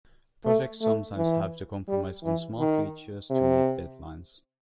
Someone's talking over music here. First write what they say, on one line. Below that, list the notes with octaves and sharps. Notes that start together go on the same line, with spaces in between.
Projects sometimes have to compromise on small features to meet deadlines.
A3
A3
E3
G3
E3
D#3
C3